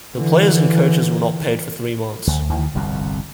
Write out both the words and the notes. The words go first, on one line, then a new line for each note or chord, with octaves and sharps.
The players and coaches were not paid for three months.
D3 E3
D2
D2 D#3 E3
G1 C2 F2 B2